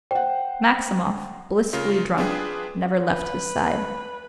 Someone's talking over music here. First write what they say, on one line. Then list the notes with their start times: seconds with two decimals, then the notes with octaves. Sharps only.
Maximov, blissfully drunk, never left his side.
0.11 C5 F#5 G5
1.73 C#3 F4 A#4
2.18 D4 F4 G#4 B4 G5
3.05 B4